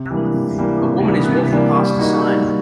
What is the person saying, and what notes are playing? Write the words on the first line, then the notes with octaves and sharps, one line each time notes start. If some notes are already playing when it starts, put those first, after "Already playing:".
A woman is walking past a sign.
Already playing: C3
E3 G3 A#3 D4
C3
E3 G3 A#3 D4
C3
E3 G3 A#3 D4
C3
E3 G3 A#3 D4
G3
A#3 D#4 F#4
G3
F#4